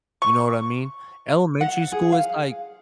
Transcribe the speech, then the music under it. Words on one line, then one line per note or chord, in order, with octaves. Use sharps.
you know what I mean? Elementary school is, like,
C#6
F#5
G#4
F5